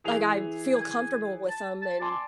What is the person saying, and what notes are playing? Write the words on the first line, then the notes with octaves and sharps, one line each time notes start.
like, I feel comfortable with 'em and,
E3 G#4 F7
G#5
A5
A5
D5 G#5 A5 C6